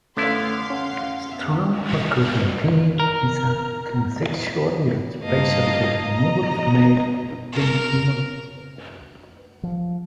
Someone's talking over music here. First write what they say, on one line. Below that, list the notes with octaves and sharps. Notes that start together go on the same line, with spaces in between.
A strong recurring theme is transsexuality, especially the removal of male genitalia.
D3 A3 B3 C#4 E4 A4 F5 C6
C#4 F#5
B3 E5
A#4
G2 A#3 D#5 F5 A5
D#5 A#5
A#4
F3